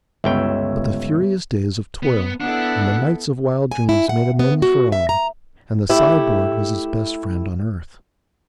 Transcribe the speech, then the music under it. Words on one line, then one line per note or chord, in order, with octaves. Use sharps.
But the furious days of toil and the nights of wild dreams made amends for all, and the sideboard was his best friend on earth.
G1 C#2 B3 C#5 E5 G5
B3
B3 D4 E4 A4 F#5
G#5
E4
F#5
B3
F#4
E5
A#5
A3 E4 G4